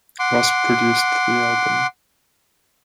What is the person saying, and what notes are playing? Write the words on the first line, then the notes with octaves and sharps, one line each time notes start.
Ross produced the album.
F#5 C6 D6